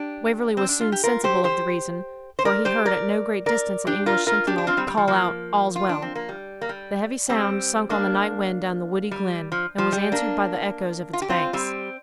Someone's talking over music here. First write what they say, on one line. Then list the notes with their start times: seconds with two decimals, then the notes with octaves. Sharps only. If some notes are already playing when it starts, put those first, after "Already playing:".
Waverley was soon sensible of the reason, for he heard at no great distance an English sentinel call out 'All's well.' The heavy sound sunk on the night-wind down the woody glen, and was answered by the echoes of its banks.
Already playing: D4 G4
0.57 C4
0.69 D4
0.81 F4
0.92 G4
1.04 F4 A#4
1.24 G4 C5
1.44 G4 C5
2.39 C5
2.45 A#4 D5
2.65 G4 C5
2.85 A#4 D5
3.46 A#4 D5
3.87 D4 G4
4.06 F4 A#4
4.27 F4 A#4
4.47 D4 G4
4.58 D4
4.67 C4 F4
4.77 G3 C4
4.88 G3
4.97 F3
5.08 F3 A#3
5.76 F4
5.89 D4
6.02 C4
6.15 A#3
6.29 G3
6.61 A#3
6.69 G3
7.29 G3 C4
7.90 A#3 D4
9.11 G3
9.52 F3
9.78 F3
9.92 G3
10.12 A#3 D4
11.13 F4
11.22 G4
11.29 C4 F4
11.53 G3 C4